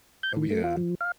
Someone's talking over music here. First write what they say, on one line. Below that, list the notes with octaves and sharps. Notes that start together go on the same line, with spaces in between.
Oh, yeah.
G6
D#3
A3
F4
F3
F5